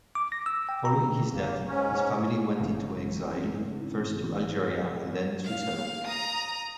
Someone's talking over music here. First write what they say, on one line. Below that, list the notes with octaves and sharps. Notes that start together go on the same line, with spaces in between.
Following his death, his family went into exile, first to Algeria and then Switzerland.
D6
A#6
E6
G5
A#5
F#1 A#3
G#2 C#4
G#1 C#3 E3
F5
A#5 D#6